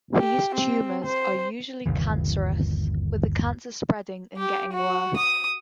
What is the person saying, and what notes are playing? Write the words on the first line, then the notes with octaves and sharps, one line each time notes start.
These tumors are usually cancerous, with the cancer spreading and getting worse.
G4
C4
C5
G1 D#2 C3 E3
G4
F#4
D#6